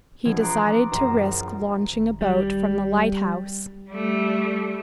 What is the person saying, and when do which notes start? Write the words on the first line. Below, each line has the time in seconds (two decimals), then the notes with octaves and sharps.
He decided to risk launching a boat from the lighthouse.
0.25 E1 F3 G#6
0.40 A5 A#5 C6 D6 D#6 F#6
0.92 A#1 F#2 C5 A#5 E7
1.91 G#1
2.21 G3
3.90 G3 A3